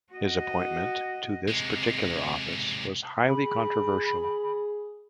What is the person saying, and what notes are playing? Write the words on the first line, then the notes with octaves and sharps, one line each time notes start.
His appointment to this particular office was highly controversial.
F#4 D#5
C3 G#3
G#4 B5